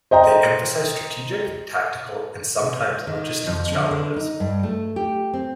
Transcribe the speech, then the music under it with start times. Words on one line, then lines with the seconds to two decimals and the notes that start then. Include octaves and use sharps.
They emphasize strategic, tactical, and sometimes logistical challenges.
0.11 C5 D#5 G5 A#5
3.07 D#3
3.46 F2
3.72 D3
3.91 D3
4.16 D#4
4.40 G2
4.63 A3
4.96 G4
5.34 C4